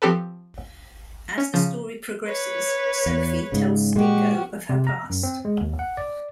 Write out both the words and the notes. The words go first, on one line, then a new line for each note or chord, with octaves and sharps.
As the story progresses, Sophie tells Stingo of her past.
F3 C4 G4 A4 B4
C#4
C#3 F3
B4 C#5
E2
G#2 C#3
A#2 G#3 F#4 G4
C3
A#5
F#2
C4
G#3
D#2
F#5
D5